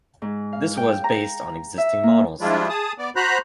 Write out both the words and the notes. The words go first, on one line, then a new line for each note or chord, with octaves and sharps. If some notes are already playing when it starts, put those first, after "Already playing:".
This was based on existing models.
G#2
F5
G5
A#5
E5
A#3
F3 G3 G#3 D4 E4 F4
G#4 A5 D#6
B3 D5
F#4 C5 A#5 B5 F#6